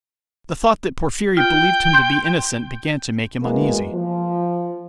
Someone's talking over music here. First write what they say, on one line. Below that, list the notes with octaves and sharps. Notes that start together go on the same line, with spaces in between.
The thought that Porfiry believed him to be innocent began to make him uneasy.
F4 G5
C6 G6
B2 E3 G#3 A#3 B3
F3